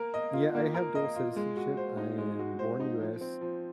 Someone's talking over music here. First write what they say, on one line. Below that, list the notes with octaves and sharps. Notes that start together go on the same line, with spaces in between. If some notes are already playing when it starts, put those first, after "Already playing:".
Yeah, I have dual citizenship. I am born U.S,
Already playing: A#3 A#4
D#5
F4
A#3
A#4
D#5
F4
G#3
F#4
C5
D#4
G#3
F#4
C5
D#4
F3
C4
F3